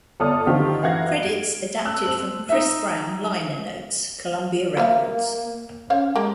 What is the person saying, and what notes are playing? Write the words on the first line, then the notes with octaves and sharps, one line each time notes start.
Credits adapted from "Chris Brown" liner notes, Columbia Records.
G1 A4 C#5 D5 D#6 F6
D3 D#3 F3 F4 G4
F#2 E3 F5 F#5 G#6 A#6
D7
A5 E6 F#6
C4 F#7
D#4 E5
A#3 C5 E5 F5
C#4 C5 C#5 F5
G#3 A#3 G4